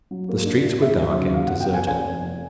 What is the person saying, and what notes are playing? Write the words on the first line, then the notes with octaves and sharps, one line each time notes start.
The streets were dark and deserted.
F#3
A#3
D4
A2
D#2 E5
F#3
E5
C#3
C#3 F5
F#5
B3
G5
B3 G#5
F1 G#5
F2
F1